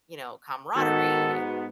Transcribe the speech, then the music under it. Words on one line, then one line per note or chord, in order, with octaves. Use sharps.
you know, camaraderie and
G#2 D#3 B3 F#4 A4